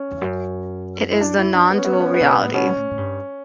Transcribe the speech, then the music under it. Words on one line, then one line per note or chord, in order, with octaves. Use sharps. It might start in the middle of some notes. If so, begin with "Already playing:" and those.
It is the "nondual reality".
Already playing: C#4
E2
F#2
E4
D4
E4
D4
B3
C#4
B3
C#4
B3
C#4
B3
B2 C#4
B3
A2
B2 C#4
A2
A2
G2